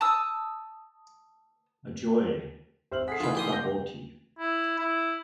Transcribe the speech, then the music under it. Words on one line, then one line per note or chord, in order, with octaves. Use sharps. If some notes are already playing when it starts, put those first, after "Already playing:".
Ajoy Chakraborty.
A5 D#6 E6
G#1 G4 C5 E5 F6 F#7
G#4 A4 F#5 B6 C7
D#3 E3 D#4 F4 B5
G4 C6 D#6
G6 A#6 G7
E4
E4